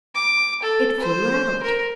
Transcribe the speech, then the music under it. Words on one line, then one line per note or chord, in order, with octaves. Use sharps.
It flew out.
D6
A4
C5
A#4